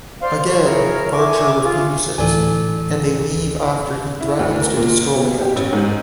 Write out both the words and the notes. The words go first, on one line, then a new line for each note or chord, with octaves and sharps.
Again, Archer refuses, and they leave after he threatens to destroy it.
C5 D5 F5 C6
C6 C#6
E4 G#4 A#4 C#5
E5 G#5 C#6 D6
F4 G#4
D2 A2 E3 A4 D5 G#5
E4
D2
A#4
A#2
B2
G4
A1
G#2